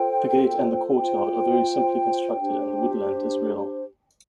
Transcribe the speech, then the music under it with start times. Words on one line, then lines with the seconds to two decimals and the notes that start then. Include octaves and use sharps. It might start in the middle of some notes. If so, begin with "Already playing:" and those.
The gate and the courtyard are very simply constructed and the woodland is real.
Already playing: F4 A4 C5 G5
0.96 F4 C5 G5
2.39 D4 G4 C5